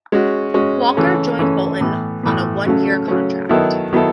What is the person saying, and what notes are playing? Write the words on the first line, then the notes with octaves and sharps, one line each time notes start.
Walker joined Bolton on a one-year contract.
G#3 C#4 F#4
G#3 C#4 F#4
C#3 E3 A3 C#4
C#3 E3 A3 C#4
A2 E3 B3
A2 E3 B3
C#3 F#3 A3 C#4
C#3 F#3 A3 C#4
D#3 F#3 B3 E4 A4
D#3 F#3 B3 E4 A4